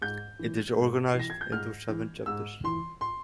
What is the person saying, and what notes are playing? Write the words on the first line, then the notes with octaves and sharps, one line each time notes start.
It is organized into seven chapters.
G#2 G6
E3
G#2
C7
E3
A#6
G#6
G6
G#2 F6
E3
G#2 E6
E3 C6
C6